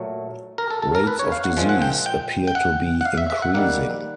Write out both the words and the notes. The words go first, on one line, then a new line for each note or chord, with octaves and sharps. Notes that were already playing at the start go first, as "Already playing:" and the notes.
Rates of disease appear to be increasing.
Already playing: A#2 F#3 A3
A#4
A4
A4
A#4
B4
C#5
F5
F#5
A#2 F3 G#3
F#5
G5
G5
G5
F#5
F#5
F5
E5
E5
F#5
D#3 G3 A#3 F#5